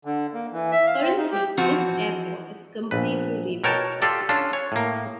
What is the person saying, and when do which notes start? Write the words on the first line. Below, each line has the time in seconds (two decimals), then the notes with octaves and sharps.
Currently this airport is completely rebuilt.
0.05 D3
0.33 A#3
0.53 E3
0.72 E5
0.87 F5
1.01 C4
1.17 D#4
1.31 G4
1.57 E3 F3 C4 F#4
2.91 A#1 B4
3.64 B2 A#4 C#5 G5 A5
4.02 F4 G4 A4 D5
4.29 C#4 D4 F4 A4
4.53 C#5
4.72 A2 A#3